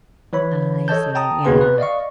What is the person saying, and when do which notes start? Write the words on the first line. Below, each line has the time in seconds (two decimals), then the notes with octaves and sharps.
I see. Yeah.
0.33 E3 C#5 B5
0.88 A4 C#5 D#5 A5 G6
1.15 G5 A5 A#5 D#6
1.45 D#2 B2 B3 G#4 B4 C6
1.61 B4
1.78 D5 D#5 F5 C#6